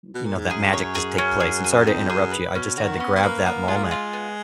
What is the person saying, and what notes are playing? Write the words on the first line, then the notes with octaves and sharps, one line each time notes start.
you know, that magic to take place, and sorry to interrupt you. I just had to grab that moment.
B2
A#2
G#2
F#2 G#4
C#5
G#4
C#4
G#4
G#4
F2 D#4
F#2 G#4
B4
B2 C#4
D#3 F#4
B3 C#4
B3
A#3 B4
A#3 B3
G#3 F4
A#3
G#3
F4
B3